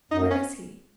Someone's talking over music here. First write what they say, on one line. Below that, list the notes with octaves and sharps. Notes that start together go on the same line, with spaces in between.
"Where is he?"
F#2 D#4
C#4